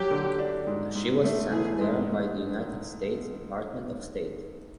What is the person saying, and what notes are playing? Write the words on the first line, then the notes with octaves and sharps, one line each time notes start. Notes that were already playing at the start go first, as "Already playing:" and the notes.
She was sent there by the United States Department of State.
Already playing: F#3 G4
D3
D4
G#2
G#2
A3
E3 G#4
G#2
G#2